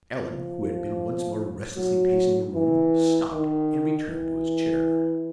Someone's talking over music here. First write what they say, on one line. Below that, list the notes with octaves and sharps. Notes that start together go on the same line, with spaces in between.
Allan, who had been once more restlessly pacing the room, stopped, and returned to his chair.
F3
F#3
E3
D#3
E3